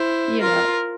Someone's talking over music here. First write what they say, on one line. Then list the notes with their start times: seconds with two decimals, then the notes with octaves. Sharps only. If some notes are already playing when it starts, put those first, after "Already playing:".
you know.
Already playing: E4 C5
0.41 F4 A#4